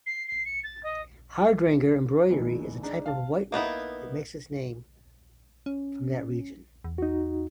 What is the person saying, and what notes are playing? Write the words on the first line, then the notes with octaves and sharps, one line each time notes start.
Hardanger embroidery is a type of whitework that takes its name from that region.
C7
C7
C#7
A6
D#5
F1 A#1 B2 D#3 E3
D4 D#4 G#4
F5 A5
A#3 B3 D#4 E4
C#4
E2
D#4 F#4